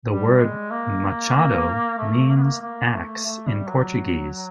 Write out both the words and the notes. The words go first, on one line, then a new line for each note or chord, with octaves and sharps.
The word "machado" means axe in Portuguese.
G3
G#3
A#3
A3
A#3
B3
A#3
A#3
A3
A3
G3
F#3